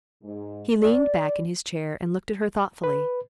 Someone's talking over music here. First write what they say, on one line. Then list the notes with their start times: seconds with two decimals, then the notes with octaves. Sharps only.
He leaned back in his chair and looked at her thoughtfully.
0.24 G#2
0.82 D5
2.84 B4